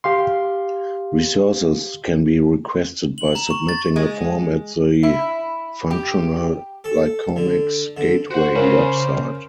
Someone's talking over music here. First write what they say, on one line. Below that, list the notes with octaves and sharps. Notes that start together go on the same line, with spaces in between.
Resources can be requested by submitting a form at the Functional Glycomics Gateway website.
G4 F5 C6
F#7
A#5
C#6
A6
G#3
E4
G4
A4
D3
D3
F#4 C5 F#5
C#3 C#4 A#4